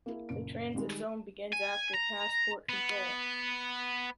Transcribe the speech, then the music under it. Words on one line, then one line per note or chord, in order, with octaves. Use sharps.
The transit zone begins after passport control.
A#3 E4 G#4
F#1 A#2 D7
D#3 G3 G#3
G#5
A#5
B3